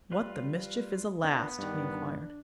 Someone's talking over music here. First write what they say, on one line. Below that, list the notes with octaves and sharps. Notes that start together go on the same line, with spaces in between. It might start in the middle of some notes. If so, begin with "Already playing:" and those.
"What the mischief is a last?" he inquired.
G3 F4 B4
B3 D4 F4 A#4
G2 D#3 D4